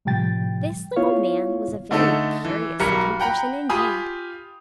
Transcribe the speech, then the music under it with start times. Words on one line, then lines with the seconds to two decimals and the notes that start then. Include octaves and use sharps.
This little man was a very curious-looking person indeed.
0.05 A2 C3 F3 G3 G5 A6
0.96 B3 E4 F4 C#5 F5
1.91 D3 A3 D#4 A4
2.45 E3
2.80 B1 G3 A#4 A#5 C#7
3.20 F#5 G5 A#5 B5
3.69 F4 G4 G#5 B5 D#6